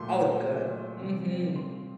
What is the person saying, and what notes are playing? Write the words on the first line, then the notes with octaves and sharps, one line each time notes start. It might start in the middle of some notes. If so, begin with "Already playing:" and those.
Oh, it's good. Mhm.
Already playing: A#2 F#3 A3 C6
C3 G3 C4
C6